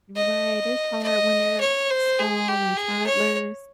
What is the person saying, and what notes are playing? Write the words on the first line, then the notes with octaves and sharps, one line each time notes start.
Right, it's hard when they're small and toddlers.
D#5
D#5
C#5
C5
G#4
G4
G#4
C#5